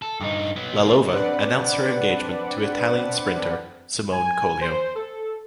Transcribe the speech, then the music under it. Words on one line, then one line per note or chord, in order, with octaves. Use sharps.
Lalova announced her engagement to Italian sprinter Simone Collio.
A4
G2 D#4
F#3 B3
A3 A#3
C4 D4 B4 D5 F#5
G#5
C5
A4